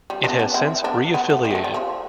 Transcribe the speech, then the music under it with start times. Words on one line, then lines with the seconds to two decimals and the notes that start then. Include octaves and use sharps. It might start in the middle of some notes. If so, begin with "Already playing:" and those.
It has since re-affiliated.
0.10 G3
0.24 B3 D4
0.39 B3 D4
0.54 C4 E4
0.84 B3 D4
1.14 B3
1.30 A3
1.45 G3
1.51 B3
1.55 A3
1.64 G3
1.74 F3